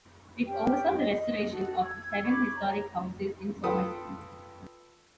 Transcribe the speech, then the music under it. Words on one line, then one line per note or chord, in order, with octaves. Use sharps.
It oversaw the restoration of seven historic houses in Somerset.
C#4 G4 G5
D#5
F#4 A4
E6 G#6
B5 C#6 D6 G#6
C#5 A#5
F4 A4 B4 G5 D#6